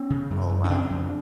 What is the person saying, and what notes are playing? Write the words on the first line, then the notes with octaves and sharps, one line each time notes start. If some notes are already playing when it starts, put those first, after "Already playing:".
Oh, wow.
Already playing: B3 C#4
C#3
F#2
F#2
C#4
C#3 C4 D4
F2